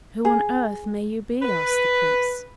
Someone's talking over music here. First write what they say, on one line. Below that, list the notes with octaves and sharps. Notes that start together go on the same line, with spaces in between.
"Who on earth may you be?" asked the Prince.
G#4
B4